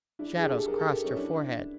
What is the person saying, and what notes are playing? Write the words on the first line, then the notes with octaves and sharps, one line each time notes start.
Shadows crossed her forehead.
D4 E4
G#4
G4 A4
A4
G#4 A#4
G4 A4
C#4 D#4
D4 E4